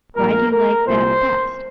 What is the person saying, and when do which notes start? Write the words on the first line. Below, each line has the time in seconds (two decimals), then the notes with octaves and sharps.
"Why do you like that best?"
0.15 A#1 A#2 A#3 A#4
0.51 A#4
0.87 C2 A#2 A#3 C5